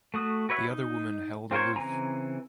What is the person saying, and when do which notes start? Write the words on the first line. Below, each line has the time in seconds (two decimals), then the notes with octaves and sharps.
The other woman held aloof.
0.14 A3 F#4 D#6
0.49 F#4 B4 C#5 E5
0.69 D#4
1.51 C4 F4 A#4 C5 C#5
1.76 C#3 E3 C4 G#5 A#5